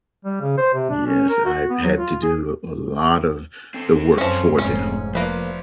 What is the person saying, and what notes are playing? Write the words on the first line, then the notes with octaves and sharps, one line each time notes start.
Yes, I've had to do a lot of the work for them,
G3
C#3
C5
C3
D4
C#4
A#4
F#4
B3
F#3
F4
G#4
C4 A4
F#2 F3 C#4
F1 G#2 C#4
F3 A#3 B4 C5 D5